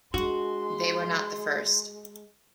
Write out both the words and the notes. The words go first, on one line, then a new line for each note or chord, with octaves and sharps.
They were not the first.
G#3 D4 F#4 C6